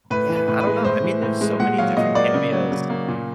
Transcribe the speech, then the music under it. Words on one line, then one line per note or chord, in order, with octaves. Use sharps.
yeah, I don't know, I mean, there's so many different cameos.
A2 B4
E3
B4
A2
B4
G#3
A2 C5
E3
A2
G#3
A#2 F#5
F#3 F5
A#2 D#5
A#3 D5
C#3
F#3
C#3
A#3
A#2